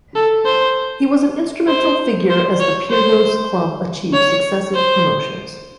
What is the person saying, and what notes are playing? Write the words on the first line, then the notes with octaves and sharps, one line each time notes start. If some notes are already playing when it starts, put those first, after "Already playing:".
He was an instrumental figure as the Pyrgos club achieved successive promotions.
A4
C5
C5
C5
C#5
C5
C#5
C5